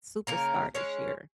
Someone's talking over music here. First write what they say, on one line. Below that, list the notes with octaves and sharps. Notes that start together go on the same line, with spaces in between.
superstar this year.
C#3 A#3 C#4 A#4
G#3 C#4 G#4 C#5